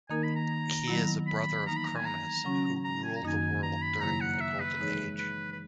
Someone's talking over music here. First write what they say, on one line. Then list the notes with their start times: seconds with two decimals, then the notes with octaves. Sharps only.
He is a brother of Cronus, who ruled the world during the Golden Age.
0.10 D#3 A#3 D#4 A#4 G#5
0.23 B5
0.36 A#5
0.88 D#3 F#3 B3 E4
1.27 B5
1.67 E3 A#3 D#4 A#5
1.77 B5
1.86 A#5
1.96 G#5
2.05 A#5
2.44 C#3 F#3 C#4 F#4
2.84 A#5
3.04 G#5
3.16 A#5
3.23 F#2 D#3 A#3 D#4 G#5
3.63 A#5
3.82 B5
4.01 C#3 F#3 A#3 E4 A#5
4.21 F#5
4.41 E5
4.60 B4
4.80 E3 G#3 D#4 G#4 C#5
5.19 B4
5.52 B4